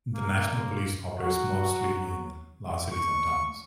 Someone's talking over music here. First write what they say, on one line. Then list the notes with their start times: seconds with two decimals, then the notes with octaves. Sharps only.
The National Police operates mostly in large cities and towns.
0.15 A#3
1.18 F#3 F#4
2.92 C#6